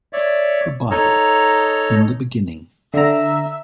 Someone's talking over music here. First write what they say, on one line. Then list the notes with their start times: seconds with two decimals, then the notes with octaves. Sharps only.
The Bible: In the Beginning...
0.13 C#5 D5 E5
0.91 D#4 A4 C#5 A#5
2.94 D3 E5 A#5